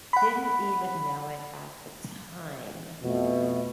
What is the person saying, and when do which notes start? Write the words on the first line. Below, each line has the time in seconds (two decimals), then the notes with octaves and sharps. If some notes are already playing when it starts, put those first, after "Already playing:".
Didn't even know it at the time.
0.13 F#5 B5
3.02 F2 B2 A3